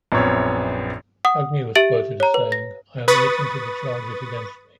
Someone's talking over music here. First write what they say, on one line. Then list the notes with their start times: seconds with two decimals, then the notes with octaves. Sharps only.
Agnew was quoted as saying: I am innocent of the charges against me.
0.12 A#1 F#2 B3 C4 C#5
1.25 F#5 D#6
1.75 G4 E5 A6 D7 F#7
2.20 C#5 A#5
2.34 B4
2.52 A#6
3.08 B4 B5 C#6 D#6 A6